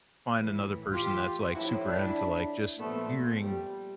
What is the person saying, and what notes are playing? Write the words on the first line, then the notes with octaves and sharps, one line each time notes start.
find another person that's like super into like just hearing,
A2 E3
F4 G4
A2 F3 E4 F#4
D4 E4
A#2 F3 A3 B3
G3